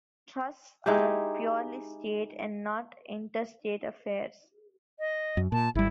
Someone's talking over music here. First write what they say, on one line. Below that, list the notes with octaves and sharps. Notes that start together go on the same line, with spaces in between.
Trusts are purely state, and not interstate affairs.
G#3 D#4 E4 G4
D#5
F#2
A#2 A5
G#1 G3 E4